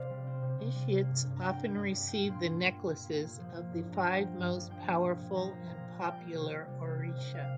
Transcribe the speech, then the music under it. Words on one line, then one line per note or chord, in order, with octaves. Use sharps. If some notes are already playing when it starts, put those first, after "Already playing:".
Initiates often receive the necklaces of the five most powerful and popular oricha.
Already playing: C3 C4 C5 D5 F5
G3
C4
C3
C3
G3
A#3
G2
G2
A#5
G3 G5
A#3
G2
G2
A#3 G5
A#2
C6
A#3
A#2
A#3
A#2
A#3
A#2
F3
A#3
G2
G2
A#5
F3 G5
A#3
G2
G2
F3 G5
A#3
A#2
A#2
F3 A#5
A#3
A#2 A#5
A#2
G3 G5
A#3
C3
C3
G3
A#3
C3
C3
G3 F5